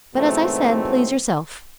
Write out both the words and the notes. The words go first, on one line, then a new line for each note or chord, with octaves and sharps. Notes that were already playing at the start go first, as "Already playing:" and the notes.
But as I said, please yourself.
G#2 B2 E3 F#3 A3 C4